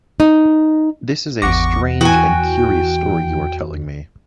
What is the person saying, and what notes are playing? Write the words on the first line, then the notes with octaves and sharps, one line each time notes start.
This is a strange and curious story you are telling me.
D#4
G#1 E2 F#5 C#6 D6 A#6
E3 F#4 G5 G#5